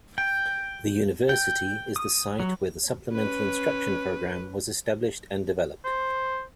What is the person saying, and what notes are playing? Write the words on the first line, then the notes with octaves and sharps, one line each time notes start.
The University is the site where the Supplemental Instruction program was established and developed.
G5
G5
D#6
F#3
C#4 B4
C5